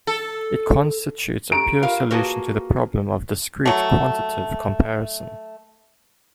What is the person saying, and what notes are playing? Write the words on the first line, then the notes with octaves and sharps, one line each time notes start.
It constitutes a pure solution to the problem of discrete quantitative comparison.
A4
G4 A4 A#5 D7
F4 G4 A#4 F5
A#3 F#4 G#4 B4 G#5 A5
F#3 A3